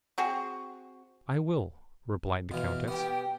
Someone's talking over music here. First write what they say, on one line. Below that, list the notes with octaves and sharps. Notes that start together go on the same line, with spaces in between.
"I will," replied the countess.
C4 F#4 G#4
B2 E3 F5
B3 G4 G5